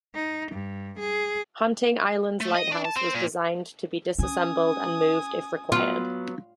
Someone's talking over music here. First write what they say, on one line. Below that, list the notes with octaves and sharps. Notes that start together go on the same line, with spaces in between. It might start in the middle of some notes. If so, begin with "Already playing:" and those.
Hunting Island's Lighthouse was designed to be disassembled and moved if required.
D#4
G2
G#4
A3
D#5
D4
A5
C4
A#2
C#4 G#5 D#6
F#3 B3 F4